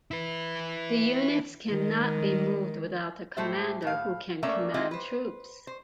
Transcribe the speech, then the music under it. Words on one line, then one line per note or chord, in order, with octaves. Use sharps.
The units cannot be moved without a commander who can command troops.
E4 B4
D#3 G#3
A2 A3 G4 C5 E5
A2 F5
A3 A#3 C#4 D5 E5 A#5
G#3 C4 E4 F4 G4 D#5
B4 C5
C5